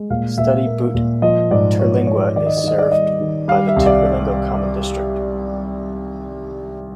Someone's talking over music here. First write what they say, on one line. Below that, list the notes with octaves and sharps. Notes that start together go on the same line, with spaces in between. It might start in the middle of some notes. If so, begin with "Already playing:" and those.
Study Butte-Terlingua is served by the Terlingua Common School District.
Already playing: G#3
A#2 F5
A#2 E5
A#3
A#2
F3 D#5
G#2 D5
F3 C#5
G#3 C#5
D#3 D5
D#5
D5
D#3 D#5
D5
G3 D#5
D#3
G3 F5
E5
C2
D5